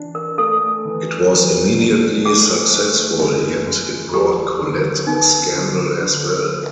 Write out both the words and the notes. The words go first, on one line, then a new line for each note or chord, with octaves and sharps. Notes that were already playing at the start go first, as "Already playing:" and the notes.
It was immediately successful, yet it brought Colette scandal as well.
Already playing: E3 D4
A#4
A3 A4
E3
E3
D4
A3 G#4
A3
F#2
F#2
F#3 G4
D3
B3 D#4
D3
D3